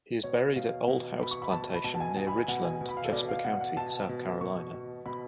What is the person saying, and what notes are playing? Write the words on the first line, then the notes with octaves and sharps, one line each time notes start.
He is buried at Old House Plantation near Ridgeland, Jasper County, South Carolina.
B2 C#5
B2 F5
B2
B2 B5
C#6
B5
B2 A5
B5
B2 A5
A5
G#5
B2 G#5
B5
G#5
B2 F#5
G#5
B2
B5
F5
A4
B2 D5
F5
B2 F#5
F#5
B2 A5
B2
B2 C#6
B2
B2 B5